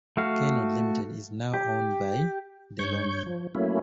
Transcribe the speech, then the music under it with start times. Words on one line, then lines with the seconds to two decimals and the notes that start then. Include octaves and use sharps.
Kenwood Limited is now owned by DeLonghi.
0.17 A3 F#4 F5
1.54 G4
2.79 G2 C#5 C#6 G6
3.26 F3
3.55 F#3 A3 A#3 C#4 E4